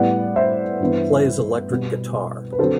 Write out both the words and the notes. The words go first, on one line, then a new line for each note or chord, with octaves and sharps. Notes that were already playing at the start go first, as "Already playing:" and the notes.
Plays electric guitar.
Already playing: A2 G3 B3 D5 F#5
C5 E5
G2 E3 B3
B2 G3 B3
B4
D3 F#3 C4 A4 C5